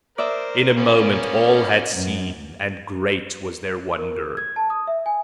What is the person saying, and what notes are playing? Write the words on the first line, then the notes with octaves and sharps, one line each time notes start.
In a moment all had seen, and great was their wonder.
A#4 C5 D5 E5 D#6
A#3 B3 C#4
F#2
A#4
G#6
A5
D#6
E5
G#5